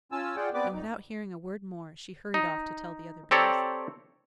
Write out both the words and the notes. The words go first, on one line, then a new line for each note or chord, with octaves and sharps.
And without hearing a word more, she hurried off to tell the other Bees.
C#4 F4 G#5 A5 E6
F4 G#4 D5 F#5 G5
B3 C4 B4 D5 D6
F2 D#4
D#4
C4 G4 A4 C#5 D5 A#5